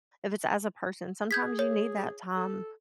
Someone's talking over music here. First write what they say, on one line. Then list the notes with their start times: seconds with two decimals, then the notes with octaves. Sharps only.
If it's as a person, sometimes you need that time
1.31 G#4 G6 G#6 B6
1.59 C#5
2.36 A4